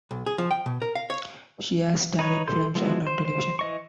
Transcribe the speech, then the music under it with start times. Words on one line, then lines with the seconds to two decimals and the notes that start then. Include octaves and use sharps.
She has starred in films and on television.
0.11 B1
0.26 G#4
0.38 F3
0.51 G5
0.66 B2
0.82 A#4
0.95 F5
1.10 C#5
2.19 D#4 B4 C#5
2.48 E3 A4 C6 G6
2.75 F3 G#3 B3 E4 F#4
3.07 C5
3.25 C5
3.59 E3 D#5 C#6